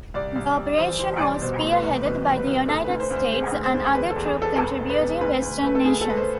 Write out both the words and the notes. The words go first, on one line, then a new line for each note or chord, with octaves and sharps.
The operation was spearheaded by the United States and other troop-contributing Western nations.
C2 D5
C2
C2
E3 C5
E3 C5
C2 D5
B2 C5
A3
B4
C2
B2 B4
C2
B4
C2
D2 A4
B4
D2
C5
D2
C5
G#3 C5
D2
C5
D2
E2 B4
A4
E2
G#4
B3 A4
E1 A4
E1
B4
B3
D2 B4
D2
A3 B4
A4
D2 G#4
A4
A3 B4
C5